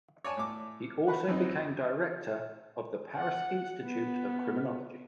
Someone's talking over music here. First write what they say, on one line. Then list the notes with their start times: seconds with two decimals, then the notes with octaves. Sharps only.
He also became director of the Paris Institute of Criminology.
0.24 C#5 D5 G#5 A5
0.37 A2 D6
1.07 F#4 B4 F#5
1.27 F#2 E3 C4 D#4
3.16 F#5
3.83 B3